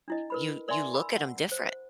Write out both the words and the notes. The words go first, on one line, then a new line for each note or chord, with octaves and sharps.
you you look at him different.
D4 E4 D#5
A#4 B4 B5
A#4 D5 E5 G#5 C6
B5 E6
F#5
C5